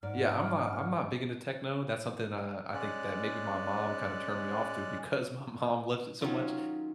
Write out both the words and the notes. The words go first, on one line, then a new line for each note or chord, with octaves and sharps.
yeah, I'm not I'm not big into techno, that's something, uh, I think that maybe my mom kinda turned me off to because my mom loves it so much,
G#2 D5 F#5 F6
G#3 C#4 D5 F#6
D#3 F#3 C#4 F4